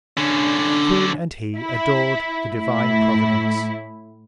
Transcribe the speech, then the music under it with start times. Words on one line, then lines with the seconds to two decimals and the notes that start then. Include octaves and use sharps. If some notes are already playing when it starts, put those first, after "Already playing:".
The Queen and He ador'd the Divine Providence.
0.17 D3 C#4 D4
1.58 E4
2.50 A2 E4